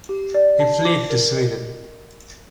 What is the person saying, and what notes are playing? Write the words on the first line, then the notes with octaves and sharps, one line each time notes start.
He fled to Sweden.
G4
D5
A5
D6
A#4
D#5